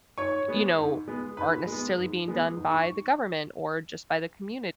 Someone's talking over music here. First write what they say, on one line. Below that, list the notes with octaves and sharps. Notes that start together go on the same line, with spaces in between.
you know, aren't necessarily being done by the government, or just by the community.
G#2 C#5 C#6
G#3 B3
G#2
G#3 B3
G#2 B4 B5
G#3
B3
G#2
G#3 B3
G#2
C#6